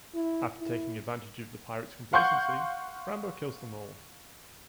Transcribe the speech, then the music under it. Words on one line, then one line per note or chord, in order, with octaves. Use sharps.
After taking advantage of the pirates' complacency, Rambo kills them all.
E4
E4
F5 F#5 C6 C#6 G6